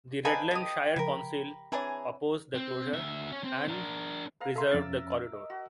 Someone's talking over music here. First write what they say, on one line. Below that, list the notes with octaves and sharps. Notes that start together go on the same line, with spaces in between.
The Redland Shire Council opposed the closure, and preserved the corridor.
C4 D4 D#4 A4 B4 F5 G#5
G4 D#5 D#6
C#3 F3 A#4 B5
E3 C4 D4 G#4 C#5 G#5 A#5
C4
D2 E5
C#4
C4
D4 A#4
B4 F5 A#5
A4 A#4 E5 F5 C6
F2 C#4 D6 E6 A6
D#5
F#4